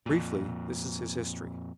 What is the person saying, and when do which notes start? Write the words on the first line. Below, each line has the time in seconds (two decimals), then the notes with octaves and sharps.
Briefly, this is his history.
0.06 F2 A#2